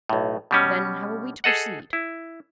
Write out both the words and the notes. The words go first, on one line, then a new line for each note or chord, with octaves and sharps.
"Then how are we to proceed?"
B1 A2
B2 G3 C#4
G#4 A4 D#5 F#5
E4